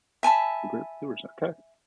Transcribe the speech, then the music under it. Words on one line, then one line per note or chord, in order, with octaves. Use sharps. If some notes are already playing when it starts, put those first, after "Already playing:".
The Great Believers, okay.
E5 G#5 A5 B5